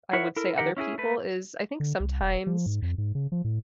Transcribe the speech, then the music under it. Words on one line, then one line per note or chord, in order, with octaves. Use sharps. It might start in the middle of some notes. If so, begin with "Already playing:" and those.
I would say other people is I think sometimes
E4 A#4 C#5 E5 F#5
E4 A4 A#4
D#3 E3 G4 A#4 F#5
C#4 E4 F#4 G#4
A3 B4
D3
C2
E1
F3
G#2
F2
G#2
C#3
F3
A2